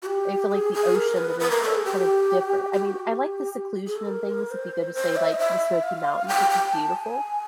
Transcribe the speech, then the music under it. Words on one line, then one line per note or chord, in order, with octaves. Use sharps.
I feel like, the ocean that is, eh, kinda different, I mean, I like the seclusion and things if you go to, say, like, the Smoky Mountains, which is beautiful,
F#4
G4
G#4
G#4
A#4
B4
B4
A#4
A4
G#4
G4
G4
F#4
G4
G#4
A4
A#4
C5
C5
E5
D#5
E5
F5
G5
G5
A5
G#5